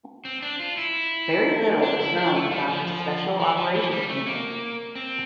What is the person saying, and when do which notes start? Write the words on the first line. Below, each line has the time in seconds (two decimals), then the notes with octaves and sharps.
Very little is known about this special operations unit.
0.25 C4
0.42 D4
0.60 F4
0.77 E4
1.82 D4
2.00 E4
2.17 D4
2.34 A3
2.51 G3
2.69 F3
2.87 F3
3.39 E3
3.57 F3
3.74 E3
3.91 G3
4.08 A3
4.27 A#3
4.95 C4